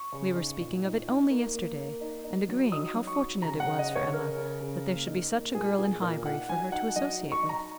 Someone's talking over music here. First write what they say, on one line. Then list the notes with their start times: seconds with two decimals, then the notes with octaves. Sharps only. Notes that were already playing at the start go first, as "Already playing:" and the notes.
We were speaking of it only yesterday, and agreeing how fortunate it was for Emma, that there should be such a girl in Highbury for her to associate with.
Already playing: C#6
0.12 C#3
0.36 D#4
0.60 A#2
0.84 D#4
1.08 D#4
1.30 A#3
1.54 A#3
1.78 A#3
2.01 D#4
2.24 D#4
2.49 F#3
2.72 D#4 D#6
2.95 F#3
3.07 C#6
3.20 D#4
3.42 C#3 A#5
3.60 F#5
3.66 C#3
3.79 D#5
3.90 C#3
3.95 C#5
4.13 C#3 A#4
4.36 C#3
4.60 C#3
4.84 A#3
5.07 D#4
5.31 A#3
5.55 A#2 G#4
5.78 A#2 G#4
6.01 A#2 A#4
6.26 D#4 F#5
6.49 F#3 G#5
6.72 D#4 F#5
6.96 F#3 D#5
7.20 D#4
7.32 C#6
7.43 D#4
7.49 A#5